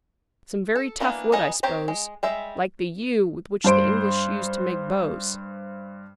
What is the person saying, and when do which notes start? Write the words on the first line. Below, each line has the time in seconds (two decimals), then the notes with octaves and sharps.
"Some very tough wood, I suppose, like the yew with which the English used to make bows."
0.76 A4
1.00 E3 A#3 B3 D4
1.32 B3 D#4 G#4 D#5
1.63 C4 G4 C#5 G5 A#5
1.88 G#3
2.23 G3 G#3 E5
3.64 G2 C5 D7